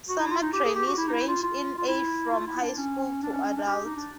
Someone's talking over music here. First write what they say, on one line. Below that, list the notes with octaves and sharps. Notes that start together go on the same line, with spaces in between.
Summer trainees range in age from high school to adult.
F#4
E4
F4
D#4
G4
G#4
G4
F#4
E4
D#4
E4
F4
F4
F4
E4
F4
E4
D4
C#4
D4
C#4
C#4
D4
G4
D#4
D4